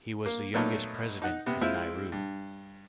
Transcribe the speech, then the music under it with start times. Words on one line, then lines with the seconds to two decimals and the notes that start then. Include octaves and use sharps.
He was the youngest president in Nauru.
0.26 A#3
0.54 A#2 F#3 A3 B3 D#4
1.22 D#4 F#5
1.46 C3 B3
1.61 G#3 C4 E4 F4 E5
2.12 G2